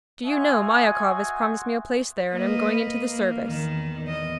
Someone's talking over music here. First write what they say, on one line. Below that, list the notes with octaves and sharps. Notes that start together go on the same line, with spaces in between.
Do you know, Myakov has promised me a place there, and I'm going into the service.
F#4 C5 D#5 E5 F#5 G#5
A#3 B4 D#5
A#3
E2 D#3
E2 D#5